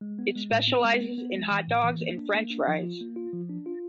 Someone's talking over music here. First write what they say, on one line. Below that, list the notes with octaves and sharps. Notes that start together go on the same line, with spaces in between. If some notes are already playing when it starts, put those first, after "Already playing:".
It specializes in hot dogs and french fries.
G#3
B3
G#3
A2
B3
G#3
B3
B3
G#3
E3
A2
E3
A#3
D4
A#3
D4
F3
F4
A#3
F4
F3
D4
F4